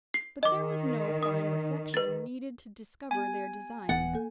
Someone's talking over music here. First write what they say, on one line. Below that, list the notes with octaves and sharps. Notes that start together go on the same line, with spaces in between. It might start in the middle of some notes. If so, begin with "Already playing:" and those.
But there was no fine reflection needed to discover their design.
C7
D#3 D#5 D6
D#6
B4 A6
B3 G4 G#5
D#1 E3 B3 F#5 A6
A#3 A4